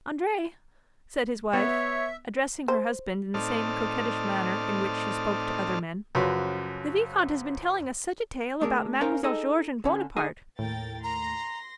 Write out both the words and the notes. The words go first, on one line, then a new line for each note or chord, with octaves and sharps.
"Andre," said his wife, addressing her husband in the same coquettish manner in which she spoke to other men, "the vicomte has been telling us such a tale about Mademoiselle George and Buonaparte!"
B3 C#5 E5
C5
A2 C4 D#4 D5 A5 F6
F#2 C#3 F3 F#4 B4 C6
A3 D4 G#4 A#4
C#4 A#4 C5 F5 G5 A#5
D#4 G#4 A4 D#5
D3 C#4
D#4 G#4 D#5 G#5
D#2 A2 A#4 G5 A6
A#5 C6 A#6